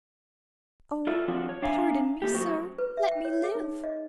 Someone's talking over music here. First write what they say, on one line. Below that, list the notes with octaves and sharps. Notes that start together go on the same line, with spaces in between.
"Oh, pardon me, sir; let me live!"
F4 A4 D5 E5
F3 C4 D4 F4 F#4
C#5
D4 E5 F5 G#5 A#5
A3 A#3 G4
F#2 F#3 A3 F#4 C5
B4
E5
G5
C#5
G#4
D#4
D#5